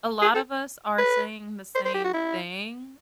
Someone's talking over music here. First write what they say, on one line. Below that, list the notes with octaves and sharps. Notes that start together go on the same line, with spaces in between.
a lot of us are saying the same thing,
G#4
A4
B4
C5
C5
G4
F#4
E4